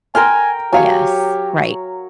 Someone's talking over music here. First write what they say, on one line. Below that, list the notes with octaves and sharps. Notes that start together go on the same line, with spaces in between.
Yes. Right.
A#4 G5 G#5 C6 F6
F#3 G4 C#5 F5 G#5